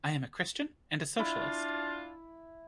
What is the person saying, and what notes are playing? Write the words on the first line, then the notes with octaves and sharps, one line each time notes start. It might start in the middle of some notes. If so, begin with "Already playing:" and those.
I am a Christian and a Socialist.
D4 E4 F4